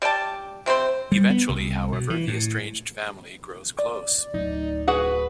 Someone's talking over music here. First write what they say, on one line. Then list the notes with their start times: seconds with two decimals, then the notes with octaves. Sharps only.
Eventually, however, the estranged family grows close.
0.02 G3 D5 G5 A5
0.66 C3 C4 F4 C5
1.12 G3
1.30 B3
1.49 C2
1.92 B2
2.10 E3
2.28 A2
3.79 D5
4.34 D1 D#4
4.88 F#4 G#4 B4 F#5